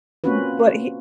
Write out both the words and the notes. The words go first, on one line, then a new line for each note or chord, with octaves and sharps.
Mm But he
A#3 C4 C#4 F4 F#4 B4